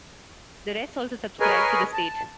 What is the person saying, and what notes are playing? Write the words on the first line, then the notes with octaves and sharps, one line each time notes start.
The rest also subscribed to "The State".
G#4 A#4 B4 C#5 D#5 G#5
A5